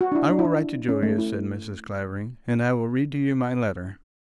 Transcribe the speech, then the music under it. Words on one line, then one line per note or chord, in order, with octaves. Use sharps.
"I will write to Julia," said Mrs. Clavering; "and I will read to you my letter."
F#4
D4
E4
D4
E4
D4
C#4
A3
E4